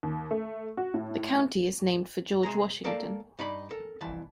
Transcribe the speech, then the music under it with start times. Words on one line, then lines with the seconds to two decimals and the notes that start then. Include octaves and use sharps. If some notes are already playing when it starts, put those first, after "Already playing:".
The county is named for George Washington.
0.03 D#2
0.31 A3
0.77 F#4
0.94 A2
2.43 C3 G#3 G#4 A#5
2.84 A#3 A4 A#4 D5 F5 A5
3.39 G2 D#4 D5 B5
3.71 A4 A#4
4.01 C2 F2 E3 A5